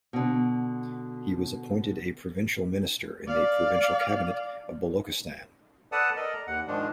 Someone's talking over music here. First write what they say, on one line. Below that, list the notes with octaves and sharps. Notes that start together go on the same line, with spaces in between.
He was appointed a provincial minister in the provincial cabinet of Balochistan.
B2 D3
D5 F5
A4 B4 D5 F#5 A5 D#6
A4 A#4 D5 D#5
A#5
D#2 F#5
G#2 D#3 F3 G#3 D4